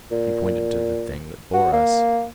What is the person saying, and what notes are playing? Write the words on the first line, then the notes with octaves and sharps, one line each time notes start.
He pointed to the Thing that bore us.
A#2
F#4
A#3